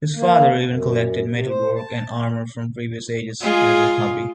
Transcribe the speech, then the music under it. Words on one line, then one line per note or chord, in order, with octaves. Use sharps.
His father even collected metalwork and armour from previous ages as a hobby.
A#3
F#2
C3
C5
A5
G#3 F4 G#4